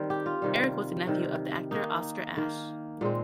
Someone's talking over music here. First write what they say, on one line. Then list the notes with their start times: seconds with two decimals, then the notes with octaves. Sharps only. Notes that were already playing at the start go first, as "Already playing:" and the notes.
Eric was the nephew of the actor Oscar Asche.
Already playing: D#3 G3 C4
0.10 G4
0.26 F4
0.42 C3 D#3 G3
1.07 C3 D#3 G3
1.71 D#3 A#3 D#4
2.37 D#3 A#3
3.01 A#2 G#3 C4